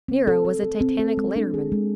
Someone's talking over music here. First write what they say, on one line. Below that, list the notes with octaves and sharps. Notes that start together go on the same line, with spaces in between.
Nero was a titanic lighterman.
C4
A4
A4
A4
C4
A4
G#3
D4
G#4
G#3